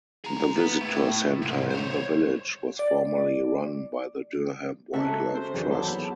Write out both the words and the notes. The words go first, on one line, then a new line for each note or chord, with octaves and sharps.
The visitor centre in the village was formerly run by the Durham Wildlife Trust.
G#4 A#5
B3
A2 A3
C2 G#2
C5 C#5
D5
C#3 F#3 G#3 C4 C#4 F#4 A4 E5
C3 C5
E2 D#3 F#3 G#4
E4 F#4 G4 F#5 A5 B5
B3